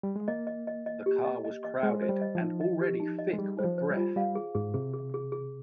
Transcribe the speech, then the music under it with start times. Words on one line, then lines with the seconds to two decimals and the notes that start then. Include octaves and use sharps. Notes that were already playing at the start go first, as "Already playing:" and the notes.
The car was crowded and already thick with breath.
0.03 G3
0.16 G#3
0.28 A#3 D#5
0.47 D#5
0.67 D#5
0.86 D#5
1.06 G4
1.24 D#5
1.45 D#5
1.64 D#5
1.83 G#3 C5
2.02 C5
2.09 G3
2.21 D#5
2.35 F3
2.41 D#4
2.61 D#5
2.81 G4
3.00 D#4
3.19 D#5
3.34 G#3
3.38 G3 G#4
3.59 G3 C5
3.64 F3
3.78 C5
3.90 G3
3.97 F4
4.16 G3 F5
4.35 G#4
4.55 G#2 G#4
4.74 C3 G#4
4.93 G#4
5.14 G#4
5.32 G#4